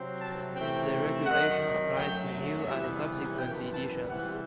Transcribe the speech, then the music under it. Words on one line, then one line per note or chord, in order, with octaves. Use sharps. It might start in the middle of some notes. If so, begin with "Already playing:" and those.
The regulation applies to new and subsequent editions.
Already playing: C3 F#3 C4
A5
C3 E3 A3 C4 G5
F#2 D#3 F#3 F#5
F#2 F#3 A3 G5
C3 E3 G3 B3 E5
F#2 E3 B3 G5
A5
C3 E3 G3 C4 F#5